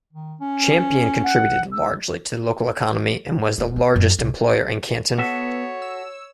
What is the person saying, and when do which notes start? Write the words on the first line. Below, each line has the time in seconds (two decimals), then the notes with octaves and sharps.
Champion contributed largely to the local economy, and was the largest employer in Canton.
0.13 D#3
0.41 C#4
1.24 F#5
1.72 E6
3.58 D#1
3.76 A#3
3.96 F#2
4.19 C2
5.18 B3 F#4 A4 C#5 E5
5.82 E6